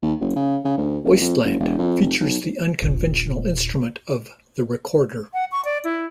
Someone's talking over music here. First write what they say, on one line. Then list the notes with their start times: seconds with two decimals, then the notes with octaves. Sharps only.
"Wasteland" features the unconventional instrument of the recorder.
0.02 D#2
0.20 F#1
0.36 C#3
0.65 C#3
0.78 D2
1.04 D#1
1.21 F2
1.44 F#1
1.60 E1
1.78 F2
2.02 F1
2.20 B1
2.82 D#1 A#1
5.34 F#5
5.52 C#6
5.65 D5
5.84 E4